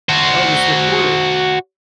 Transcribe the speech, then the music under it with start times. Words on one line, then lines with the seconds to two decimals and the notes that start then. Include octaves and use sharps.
Oh, Mr Porter!
0.09 F#4 C5